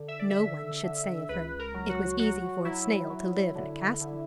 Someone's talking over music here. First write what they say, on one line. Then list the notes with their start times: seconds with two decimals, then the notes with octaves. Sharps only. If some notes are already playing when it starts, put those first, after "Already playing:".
No one should say of her, it was easy for a snail to live in a castle!
Already playing: D3
0.08 E5
0.19 D5
0.30 E5
0.38 D3
0.83 D3
1.29 C#2 B4
1.59 A#4
1.74 F#3
1.89 F#4
2.19 F#3 F#4
2.65 F#3 E4
3.10 F#3
3.55 D3
4.01 D3